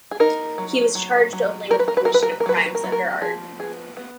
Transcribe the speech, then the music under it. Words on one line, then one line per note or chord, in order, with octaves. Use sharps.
He was charged only with the commission of crimes under Art.
G#4
D#4 A#4
F#3
F#3
F#3
F#3 A#4
B4
A#4
B4
F#3 A#4
B4
A#4
B4
A#4
F#3 B4
A#4
B4
A#4
F#3 B4
A#4
F3 G#4
B3 G#4
B3